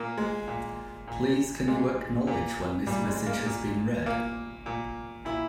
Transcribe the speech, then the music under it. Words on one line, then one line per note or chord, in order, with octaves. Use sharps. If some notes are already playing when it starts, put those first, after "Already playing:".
Please can you acknowledge when this message has been read?
Already playing: A#2 A#3
G#3
A#2
A#2
A#2 G#3
A#2
A#2 G3
G#3
A#3
A#2
A#2 A#3
A#2
A#2 E4